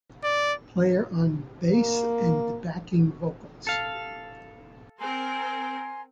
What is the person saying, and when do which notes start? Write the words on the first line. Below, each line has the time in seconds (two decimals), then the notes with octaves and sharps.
Player on bass and backing vocals.
0.23 D5
1.73 A#3
3.67 A4 F5
4.99 C4 A#4 G#5 A#5 C6